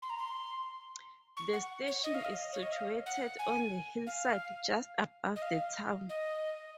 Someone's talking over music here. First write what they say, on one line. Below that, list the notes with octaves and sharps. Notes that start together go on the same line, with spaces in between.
The station is situated on the hillside just above the town.
C6
A#5
C6
C#6
F#5
C#5
D#5
F5
D#5
C#5
D#5
F5
F#5
G#5
F5
D#5
F5
D#5